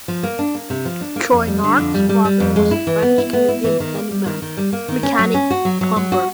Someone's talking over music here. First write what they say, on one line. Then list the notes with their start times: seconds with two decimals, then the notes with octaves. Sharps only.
Chouinard's father was a French-Canadian handyman, mechanic, plumber.
0.08 F3
0.23 A#3
0.39 D4
0.55 A#3
0.70 C3
0.85 F3
1.01 D4
1.16 A#3
1.32 F2
1.47 G3
1.63 D3
1.79 F2
1.94 G3
2.09 G3
2.25 G3
2.40 F2
2.56 G#3
2.71 E4
2.87 E3
3.02 B3
3.18 E4
3.33 B3
3.48 E4
3.64 E3
3.80 D#3
3.95 A#3
4.11 G3
4.26 D#3
4.42 D#3
4.57 G3
4.73 A#3
4.88 D#3
5.03 C#4
5.19 F#3
5.34 C#4
5.50 F#4
5.65 F#3
5.81 F#3
5.96 F#3
6.12 F#4